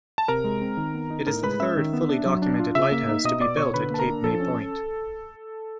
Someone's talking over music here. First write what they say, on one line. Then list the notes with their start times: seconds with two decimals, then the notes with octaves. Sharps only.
It is the third fully documented lighthouse to be built at Cape May Point.
0.18 A5
0.28 C3 A#4 A#5
0.44 G#3
0.62 C4
0.77 D#3
0.95 B3
1.10 D#4
1.27 A2 A#4 A#5
1.43 G#3 B4 B5
1.60 C#4 E5 E6
1.77 D#3
1.93 B3
2.09 D4
2.26 F#3
2.42 D4
2.60 F4
2.75 C#3 E5 E6
2.92 A#3
3.09 D#4
3.24 B2 D#5 D#6
3.41 B3 D5 D6
3.57 B2 C#5 C#6
3.74 D3 B4 B5
3.90 A#3 A5
3.99 A#4 A#5
4.07 D4
4.24 F3 A4 A5
4.40 C#4